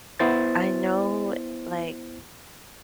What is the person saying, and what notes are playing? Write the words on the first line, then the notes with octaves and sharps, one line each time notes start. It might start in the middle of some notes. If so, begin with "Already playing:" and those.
I know, like,
B3 E4 C5 A6